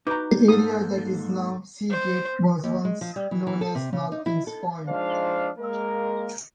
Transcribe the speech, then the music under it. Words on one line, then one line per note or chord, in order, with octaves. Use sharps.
The area that is now Sea Gate was once known as Norton's Point.
D#4 F#4 B4 A#5 D6 G6
G#2 G#3 A#3 A4 D#6
C5
D#2
G#3
F3
G3
E3
E3
A4
C3
C#3
D#4
E4
A4
F3 G#3 D4 D#4 C5 F5
G#3 A#3 A#4